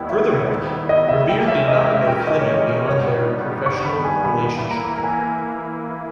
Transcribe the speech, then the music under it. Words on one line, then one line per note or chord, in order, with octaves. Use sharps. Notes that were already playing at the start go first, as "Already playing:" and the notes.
Furthermore, Revere did not know Fleming beyond their professional relationship.
Already playing: D#2 D#3 G3 B3 E4 G5
E5
D#5
E5
E3 G#3 C#4 G4 A#4 G5
E5
D#5
E5
E5
G5
D#5
C#5
D#5
G2 D#3 G3 B3 C#5
C#6
B5
G#5
B5
E3 A#3 E4 B5
B5
A#5
A#5
A#5
G#5